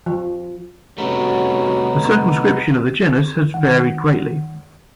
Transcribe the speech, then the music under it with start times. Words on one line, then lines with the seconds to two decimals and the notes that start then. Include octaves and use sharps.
The circumscription of the genus has varied greatly.
0.06 F3
0.98 C3 G3 A3 B3 C#4 D#4 F#4 C#5
3.54 D#3 F#5